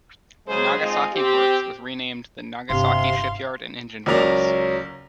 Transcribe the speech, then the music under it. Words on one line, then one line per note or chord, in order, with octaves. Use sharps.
The Nagasaki works was renamed the "Nagasaki Shipyard and Engine Works".
C#3 F#3 G#3 G#4 C5
G#3 C4 D#4 F4 G#4
C4 G4
G1 C3 F5 C6
C#2 F#3 C#4 A#4 D5 F7